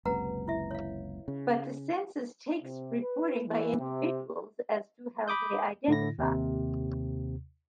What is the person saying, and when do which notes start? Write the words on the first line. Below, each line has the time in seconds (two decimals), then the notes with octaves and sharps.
But, the Census takes reporting by individuals as to how they identify.
0.05 F#1 C#2 C3 B4 F#5 A#5
0.48 E4 E5
0.71 C#5 F5
1.28 C#3
2.63 C3
3.00 B4
3.48 E3
3.79 C3
5.28 B5 D6 D#6 G6
5.88 A2 D3 E4 A#6
6.18 D#2 C3